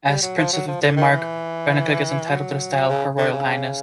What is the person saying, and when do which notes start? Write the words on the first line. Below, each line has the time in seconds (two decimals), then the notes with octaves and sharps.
As Princess of Denmark, Benedikte is entitled to the style "Her Royal Highness".
0.08 G3
0.22 F#3
0.38 F3
0.53 F#3
0.67 F3
0.82 D3
0.96 D#3
1.12 E3
2.30 F#3
2.89 C#3
3.18 D3
3.33 C#3